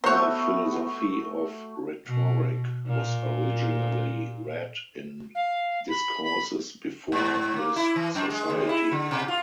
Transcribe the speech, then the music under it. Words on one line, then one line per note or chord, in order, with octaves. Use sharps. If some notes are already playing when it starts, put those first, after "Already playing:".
"The Philosophy of Rhetoric" was originally read in discourses before this Society.
A3 B3 F#4 C5 C#5 E5
B2
A#2
F5
B5
B5
G#2
A#3
E4
E3
F#2
G#3
D#2
E4
D3
B2
F4